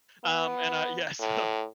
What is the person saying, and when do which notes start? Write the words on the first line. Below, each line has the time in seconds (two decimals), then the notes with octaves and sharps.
um, and, uh, yeah, so
0.24 B3
1.20 A2